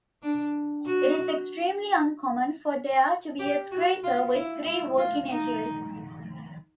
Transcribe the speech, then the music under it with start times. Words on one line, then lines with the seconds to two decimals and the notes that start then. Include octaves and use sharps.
It is extremely uncommon for there to be a scraper with three working edges.
0.23 D4
0.86 F#4
3.39 G4
3.71 F#4
4.04 F4
4.35 E4
4.66 E4
4.98 F4
5.30 D#4